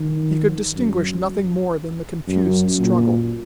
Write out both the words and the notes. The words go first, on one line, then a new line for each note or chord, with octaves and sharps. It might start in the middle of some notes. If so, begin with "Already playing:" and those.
He could distinguish nothing more than the confused struggle.
Already playing: D#3
F#2
F#2
A#2